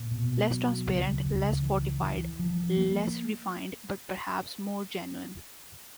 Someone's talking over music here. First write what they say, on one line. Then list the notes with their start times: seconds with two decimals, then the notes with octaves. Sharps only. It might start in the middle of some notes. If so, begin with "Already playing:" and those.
Less transparent, less fortified, less refined: but perhaps more genuine.
Already playing: A#2
0.11 B2
0.49 F#3
0.87 C#2
1.25 C#2
1.63 E3
2.01 E3
2.39 F3
2.77 A#3